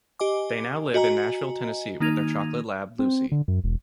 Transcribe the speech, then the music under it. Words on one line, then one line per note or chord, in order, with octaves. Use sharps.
They now live in Nashville, Tennessee with their chocolate lab, Lucy.
G4 D#5 G#5 D6
F#4 D#5 G#5 A#5
D#3 A#3 D#4 G#6 D#7 F7
C4
C4
D3
F#2
E1